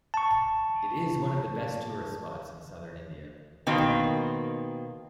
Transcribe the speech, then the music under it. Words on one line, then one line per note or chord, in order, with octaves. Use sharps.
It is one of the best tourist spots in Southern India.
A5 C#6
B2 D#3 A#3 C4